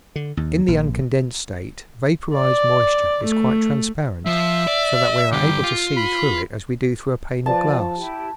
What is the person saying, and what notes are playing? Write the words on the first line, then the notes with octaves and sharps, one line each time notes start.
In the uncondensed state vaporized moisture is quite transparent, so that we are able to see through it as we do through a pane of glass.
D3
D#2
A#1
D5
A3
F3 E5
D5
G2 D3 G4
F4
B5
F3 B4 D5 A5
E4 G4